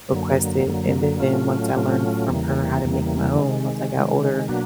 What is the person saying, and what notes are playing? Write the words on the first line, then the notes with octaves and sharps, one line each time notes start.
requested, and then once I learned from her how to make my own once I got older,
F#2 D3 F#3 A#3
F#2 D3 F#3 A#3
A2 F#3 A3 C#4 F4
A2 F#3 A3 C#4 F4
E2 C#3 E3 G3 A#3
E2 C#3 E3 G3 A#3
C3 D#3 G#3
C3 D#3 G#3
B2 F#3 A#3 D4 F#4